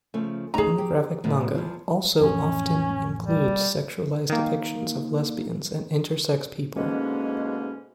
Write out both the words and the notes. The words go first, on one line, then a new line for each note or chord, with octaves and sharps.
Pornographic manga also often includes sexualised depictions of lesbians and intersex people.
C#3 F3 A3
C#3 A3 D#4 G#4 A#5
G4
F#2 A2 B3
E2 F3
A1 F2 C#4
G3
D#3 A#3
G#2 B2 D3 G#3 A#3 C#4